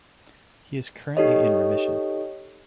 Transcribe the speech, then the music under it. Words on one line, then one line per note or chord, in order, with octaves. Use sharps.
He is currently in remission.
D#4 G4 A4 C#5 D#5